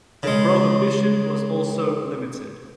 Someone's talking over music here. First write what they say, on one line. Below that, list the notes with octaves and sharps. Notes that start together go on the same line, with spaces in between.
The prohibition was also limited.
C#3 G#3